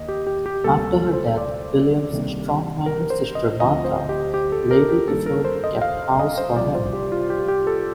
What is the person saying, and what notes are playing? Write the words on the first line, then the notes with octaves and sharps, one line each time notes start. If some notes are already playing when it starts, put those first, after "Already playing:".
After her death William's strong-minded sister Martha, Lady Giffard kept house for him.
Already playing: D#2 D#5
G4
G4
G4
D2 C3 G3 A#3 A4
C5
D5
C2 C3 D#3 G3 A#3
A#4
C5
D#5
D2 D3 F3 C4 D#5
C5
G4
G4
A4
A#4
G4
G2 D#3 A#3 A4
A#4
C5
D#5
F5
D#5
C5
C2 C3 F3 D5
C5
G4
F4
G4
G4
A4